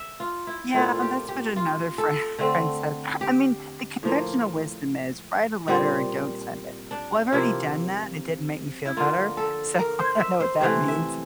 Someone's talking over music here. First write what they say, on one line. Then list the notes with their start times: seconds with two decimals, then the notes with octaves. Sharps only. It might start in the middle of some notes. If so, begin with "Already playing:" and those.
Yeah, that's what another friend friend said. I mean, the conventional wisdom is write a letter and don't send it. Well, I've already done that, and it didn't make me feel better. So I know what that means.
Already playing: E5
0.20 F4
0.47 E4
0.74 A#2 A3 C4 E4
0.95 F4
1.02 G4
1.28 G4
1.56 F4
1.98 A4
2.39 D3 A3 C4
3.21 G4
4.03 A2 F3 A#3
5.68 A#2 G3 C4
6.91 D4
7.32 C3 F3 A#3 E4
8.85 E4
8.97 D3 F3 A#3 F4
9.37 A4
9.79 A#4
9.99 C5
10.20 E5
10.40 C5
10.61 C3 E3 A3 C5
10.88 E5